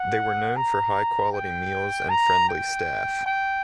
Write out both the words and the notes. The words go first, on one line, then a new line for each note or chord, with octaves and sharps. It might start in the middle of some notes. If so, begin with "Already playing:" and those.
They were known for high quality meals and friendly staff.
Already playing: F#5
A#5
G5
A#5
G5
G5